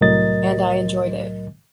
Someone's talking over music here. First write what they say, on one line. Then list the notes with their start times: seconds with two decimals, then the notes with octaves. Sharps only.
And I enjoyed it.
0.01 C2 A2 F#3 A#4 D#5 A6